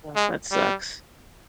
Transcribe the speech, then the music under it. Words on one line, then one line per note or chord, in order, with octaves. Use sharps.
Ugh, that sucks,
G#3
G3